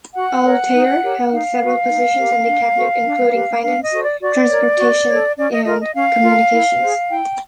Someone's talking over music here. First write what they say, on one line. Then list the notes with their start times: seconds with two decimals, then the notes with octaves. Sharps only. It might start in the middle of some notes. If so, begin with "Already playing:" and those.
Al Tayer held several positions in the cabinet including finance, transportation and communications.
0.15 F#4 F#5
0.45 A#4 C#5
0.73 D#4
1.02 G4 A#4 C#5
1.31 D#4 F5
1.61 F#4 B4
1.88 D#4
2.19 G4 A#4
2.47 D4
2.76 F#4 A4 C5
3.05 D4
3.34 G4 B4
3.62 D4 F5
3.82 D#5
3.92 F#4 A4 C5
4.02 D5
4.20 F#4 D5
4.49 A#4 C#5
4.78 F#4
5.07 A4 C#5
5.37 C#4 D5
5.51 D#5
5.64 F4 A#4 D#5
5.80 D#5
5.94 C#4 F5
6.23 F4 A#4
6.52 E4
6.80 G#4 C5
7.09 E4 G5